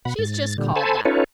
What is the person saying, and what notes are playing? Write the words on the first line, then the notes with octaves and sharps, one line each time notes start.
She's just called that.
B2 F#5 B5
G#2 A6
A#2 D3 G3
A4 C5 G#5 A5 B5
C#4 D#4 F4 A4 B4 C#5